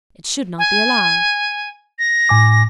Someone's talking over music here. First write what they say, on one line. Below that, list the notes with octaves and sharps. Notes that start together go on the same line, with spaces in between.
It should not be allowed.
G#5
A#6
A2 G#5 D6